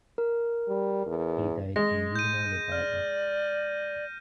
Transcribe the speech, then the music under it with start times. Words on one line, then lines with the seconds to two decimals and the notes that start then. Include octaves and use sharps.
He died in Reno, Nevada.
0.18 A#4
0.69 G3
1.06 E2
1.76 G#3 A#6
2.16 G6 D#7
2.72 D5 F6